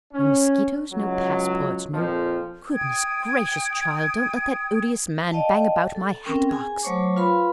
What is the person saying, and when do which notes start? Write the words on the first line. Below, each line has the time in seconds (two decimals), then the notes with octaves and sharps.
No mosquitoes, no passports, no--goodness gracious, child, don't let that odious man bang about my hat-box!
0.13 C#4
0.91 C#2 F#3
1.93 F2 A#2 F3
2.70 G5 D#6 G#6
5.31 D5 D#5 F5 G5 A5
5.95 A4
6.25 C4 C#4 A#4 G5
6.49 G#4 G#5
6.83 F#3 A3 C5 C#5 C#6 D6
7.16 F4 B4 F5 B5 C6